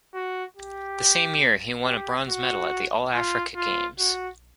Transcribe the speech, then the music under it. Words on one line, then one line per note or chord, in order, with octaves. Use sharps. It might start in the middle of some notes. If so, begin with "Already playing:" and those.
The same year he won a bronze medal at the All-Africa Games.
F#4
G4
G4
F#4
F4
F4
F#4